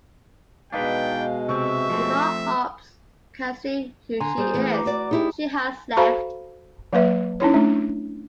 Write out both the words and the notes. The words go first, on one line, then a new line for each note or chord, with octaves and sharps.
Before Hobbs can see who she is, she has left.
B2 G#3 D4 D#4 B4 F5 G5
C3 C4 E5 C#6
F3 A3 C4
D3 G#5 A#5 C6
G3 G#4 C5
E3 A3
A#5 D6
F#4 D5
D#4 E4 G4 G#4
F#4 A4 C5 F5 A#5 B5
F#3 A#3 B4 E5
C#4 D#4 E4 C#5
A3 D4